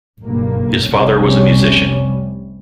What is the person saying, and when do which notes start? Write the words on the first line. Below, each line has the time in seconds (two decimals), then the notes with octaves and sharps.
His father was a musician.
0.22 F#1 B1 G2 A#3
0.87 F1 C2 C3 G3 C#4